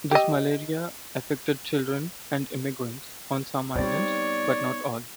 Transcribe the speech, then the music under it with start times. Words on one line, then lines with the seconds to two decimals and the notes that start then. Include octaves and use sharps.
This malaria affected children and immigrants on some islands but not all.
0.11 G4 D#5
3.75 G3 B3 C4 D#4 C#5 D5